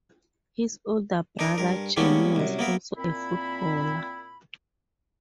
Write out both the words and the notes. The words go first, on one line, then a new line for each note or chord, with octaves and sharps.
His older brother Jamie was also a footballer.
D4 D#4 A#4
G2 A#4
G3 G#3 A#3 B3 C#4 D4
C2 F#2
A#3 B3 A#4 E5
A#2 C4 E4 B5